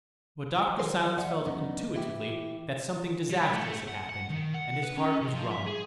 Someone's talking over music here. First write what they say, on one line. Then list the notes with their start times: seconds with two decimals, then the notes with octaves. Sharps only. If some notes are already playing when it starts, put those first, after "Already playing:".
But Dr. Silence felt intuitively that something disastrous had happened, and his heart was wrung.
0.79 D#3 E3 F#3 G#4 A#4 C5
1.18 D#2 D5 E5 F#5
1.45 F#2 C#3 B3 D4 D#4
1.94 E3 E4 G4
3.30 G3
3.54 A3
3.88 F#5
4.10 F#5
4.30 D#3
4.54 F#5
4.83 B4
4.97 C#4
5.21 C3
5.34 F3
5.51 E5
5.66 G#4